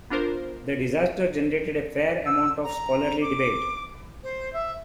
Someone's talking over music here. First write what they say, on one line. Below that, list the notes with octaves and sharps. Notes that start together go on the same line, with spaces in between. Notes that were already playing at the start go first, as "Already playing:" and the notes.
The disaster generated a fair amount of scholarly debate.
B3 D4 F4 A#4 C5
E6
A#5
D6
C5
E5